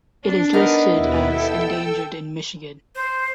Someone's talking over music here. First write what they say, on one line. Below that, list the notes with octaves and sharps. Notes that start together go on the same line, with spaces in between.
It is listed as endangered in Michigan.
D4
B3 D#4 A#4
D#2 B2 E4 B4
A4 G5 E6
C5